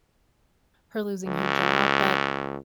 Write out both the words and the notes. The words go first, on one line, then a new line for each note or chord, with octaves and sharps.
her losing her job, but,
C#2